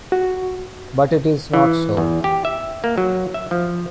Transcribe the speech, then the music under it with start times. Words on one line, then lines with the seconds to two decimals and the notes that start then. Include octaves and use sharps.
But it is not so.
0.12 F#4
1.54 E3
1.97 E2
2.24 G4
2.45 E5
2.84 A#3
2.98 F#3
3.34 E5
3.51 F3